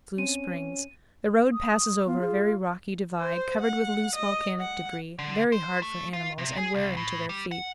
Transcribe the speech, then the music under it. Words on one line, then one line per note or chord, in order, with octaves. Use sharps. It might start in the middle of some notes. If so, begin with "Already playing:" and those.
Slough Springs.--The road passes over a very rocky divide, covered with loose volcanic debris, very hard for animals, and wearing to their feet.
C4 C#4 D#7
D#6
B3 F4
G#4
C5
F#5
D#5
F#5
D3
C5
A3
F4
C3
G#4
C2
A2
G3
F#5